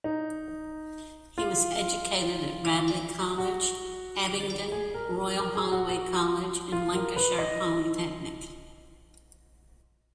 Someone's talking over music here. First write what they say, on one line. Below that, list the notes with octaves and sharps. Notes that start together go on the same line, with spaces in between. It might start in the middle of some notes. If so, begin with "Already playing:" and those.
He was educated at Radley College, Abingdon, Royal Holloway College and Lancashire Polytechnic.
D#4
F4
F#4
G#4
A#4
A#4
A#4
G#4
F#4
F#4
F4
A#4
B4
D#5